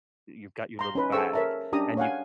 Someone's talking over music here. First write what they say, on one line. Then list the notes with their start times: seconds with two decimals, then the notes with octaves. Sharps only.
you've got your little bag, and you
0.79 A#5 C6
0.95 C#4 D#4 B4 B5
1.12 G#4 A4 C5 C#6 E6
1.33 A#4 C#5 E5 A5 A#5
1.73 C#4 D4 G4 A#5 D#6
1.97 C#5 F5 F#5 G#5